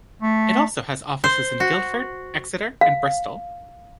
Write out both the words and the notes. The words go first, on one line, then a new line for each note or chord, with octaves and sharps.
It also has offices in Guildford, Exeter and Bristol.
A3
C5
F#4
F5